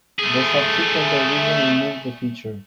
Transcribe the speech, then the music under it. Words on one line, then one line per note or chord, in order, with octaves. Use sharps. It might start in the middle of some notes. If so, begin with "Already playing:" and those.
The subsequent revision removed the feature.
A3 G#4